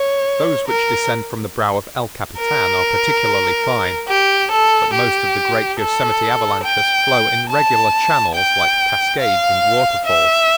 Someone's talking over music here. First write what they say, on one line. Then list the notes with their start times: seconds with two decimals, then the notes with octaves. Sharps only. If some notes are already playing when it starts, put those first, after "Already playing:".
Those which descend from the brow of El Capitan are particularly fine; but most of the great Yosemite avalanches flow in regular channels like cascades and waterfalls.
Already playing: C#5
0.68 A#4
2.39 A#4
4.08 G4
4.51 A4
4.94 G4
5.80 A4
6.64 G5
7.50 A5
8.35 G5
9.20 F5
10.06 E5